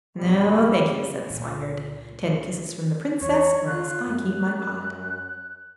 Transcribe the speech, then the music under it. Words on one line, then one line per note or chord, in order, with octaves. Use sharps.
'No, thank you,' said the Swineherd. 'Ten kisses from the Princess, or else I keep my pot.'
E2 G2 B2 G3
C#2 A#2
E2 C#4 C#5
F4 F#6
F#2 F#6